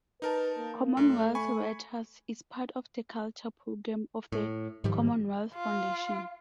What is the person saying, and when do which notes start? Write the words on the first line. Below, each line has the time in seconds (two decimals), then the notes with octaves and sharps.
Commonwealth Writers is part of the Culture programme of the Commonwealth Foundation.
0.22 D#4 A#4 B4 A5
0.58 A#3
0.97 F#2 A3
1.35 G#5 B5 C#6
4.32 A2
4.84 G#2 D#3 F3 G3
5.54 F4